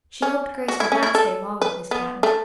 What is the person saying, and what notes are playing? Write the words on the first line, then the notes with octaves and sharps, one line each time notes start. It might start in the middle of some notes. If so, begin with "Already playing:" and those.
She hoped Grace would not stay long with Miss Patten.
C#4
F#4
E4
C#4
E4
A4
B4
B3
A3